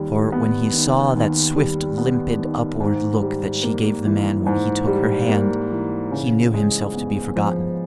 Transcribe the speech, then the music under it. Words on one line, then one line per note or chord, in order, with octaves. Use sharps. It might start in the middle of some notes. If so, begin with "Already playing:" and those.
For, when he saw that swift, limpid, upward look that she gave the man when he took her hand, he knew himself to be forgotten.
Already playing: D#2 G3
B3
D#3
D#2
G3
B3
D#3
G#2
G3
A#3
E3
G#2
G3
A#3
E3
C#3
G#3
B3
F3